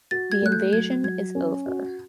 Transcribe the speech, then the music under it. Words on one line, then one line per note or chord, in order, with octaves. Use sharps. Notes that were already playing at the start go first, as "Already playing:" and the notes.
The invasion is over.
F#4 A6
G#6
A3 F#6
G6
F#3 G#6
F#3 G#6
C#4
F#4